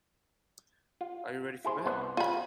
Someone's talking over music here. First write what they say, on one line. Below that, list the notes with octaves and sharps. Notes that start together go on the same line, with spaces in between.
Are you ready for bed?
F4
E4 G#4 C5
C2 B3 C5
F4 B5